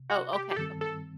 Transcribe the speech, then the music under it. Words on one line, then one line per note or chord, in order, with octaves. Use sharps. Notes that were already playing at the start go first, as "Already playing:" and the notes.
Oh, okay, okay.
Already playing: C3
F#4
G4
G4
G2 D#3 G3 C4 A4
A4